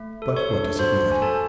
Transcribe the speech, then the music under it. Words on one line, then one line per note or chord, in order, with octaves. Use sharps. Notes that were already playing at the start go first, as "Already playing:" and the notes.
But what does it matter?
Already playing: A3
A4
C#5 C#6
D4
F#4 C5 C6
A3 G#5
A4 A5